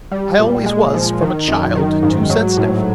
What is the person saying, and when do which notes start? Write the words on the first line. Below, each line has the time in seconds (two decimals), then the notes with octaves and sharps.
I always was, from a child, too sensitive.'
0.11 G3
0.39 A#2
0.66 G#3
0.94 F3
1.21 D#3
1.48 F#2
1.75 D#3
2.02 G#2
2.30 F#3
2.57 A2